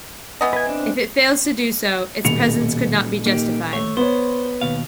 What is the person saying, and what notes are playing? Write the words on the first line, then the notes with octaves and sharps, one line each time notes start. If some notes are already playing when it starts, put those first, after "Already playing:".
If it fails to do so its presence could not be justified.
E3 B3 D#5
B4 G#5
C4 D4
D#1 D#2 B2 C#7 F7
A#3 D#4 G4
A3 C#5
B3 C5 C#5
D#2 B2 F5